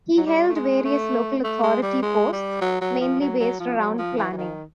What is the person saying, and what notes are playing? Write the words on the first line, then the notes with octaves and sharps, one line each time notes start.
He held various local authority posts mainly based around planning.
F#3
G3
A3
G#3
A3
A3
G#3
G3
G#3
G3
F#3
F#3
F3
F#3
F#3
F3
F#3
F3
E3
E3
D#3